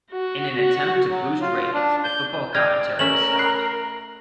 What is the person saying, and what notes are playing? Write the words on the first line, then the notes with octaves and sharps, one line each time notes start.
In an attempt to boost ratings, the football commentary was stopped.
F#4
F#4
F#3
F4
D4
G6
D5 D#5 F5 G5 F6 G#6
A3 C#4 A#4 E5 F#7
B5 F#6 C7